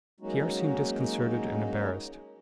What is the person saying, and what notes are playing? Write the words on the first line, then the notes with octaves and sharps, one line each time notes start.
Pierre seemed disconcerted and embarrassed.
F#3 G#3 A#3 C#4 D#4 F#4